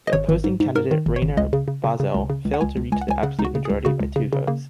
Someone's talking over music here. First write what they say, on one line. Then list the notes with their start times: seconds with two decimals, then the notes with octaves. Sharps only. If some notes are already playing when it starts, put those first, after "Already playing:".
The opposing candidate Rainer Barzel failed to reach the absolute majority by two votes.
0.07 D#5
0.13 G#1 C#5
0.29 G#1
0.44 G#2
0.60 G#2
0.75 G#2 A#4
0.91 D#3
1.06 G#1
1.16 C#5
1.22 G#1
1.37 C#2 D#5
1.53 C#3
1.68 C#3
1.84 C#3
2.00 C#3
2.15 C#2
2.30 C#3
2.45 C#2
2.54 F#5
2.61 C#2 G#5
2.77 C#2
2.92 C#2 G#5
3.01 F#5
3.08 C#2 G#5
3.23 C#3 F#5
3.39 C#2 D#4
3.45 F#4
3.55 C#3
3.65 C#2 G#4
3.85 C#3 F#4
4.00 C#2
4.16 C#3
4.33 C#3
4.47 C#3 A#3